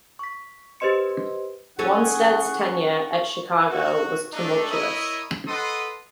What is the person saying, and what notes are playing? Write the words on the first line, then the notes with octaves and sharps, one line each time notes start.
Wannstedt's tenure at Chicago was tumultuous.
C#6 B6
G4 B4 C5 D#5 C6 C#7
C#4 G#4 A4 C#5 F#5 C#6
F#4
A3 D4 D#4
E4 A#4 C#5 D#5 E5 D#6
A4 B4 D#5 F#5 C6 D#6